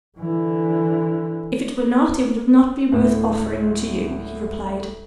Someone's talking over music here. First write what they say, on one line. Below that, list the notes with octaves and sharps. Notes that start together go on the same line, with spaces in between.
"If it were not it would not be worth offering to you," he replied.
D3 E3
D2 A2